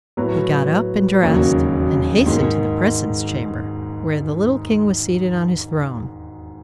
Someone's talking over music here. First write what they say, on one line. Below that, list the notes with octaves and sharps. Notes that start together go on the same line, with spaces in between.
He got up and dressed, and hastened to the presence chamber, where the little king was seated on his throne.
A2 F#3 B3
E1 D#2 C#3 F#3
G#2 D#3 G#3